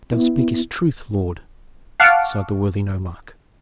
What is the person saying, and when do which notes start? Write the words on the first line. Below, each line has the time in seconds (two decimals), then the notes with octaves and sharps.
"Thou speakest truth, lord," sighed the worthy nomarch.
0.12 B3 E4
2.00 F5 F#5 A5 C#6 D6 F6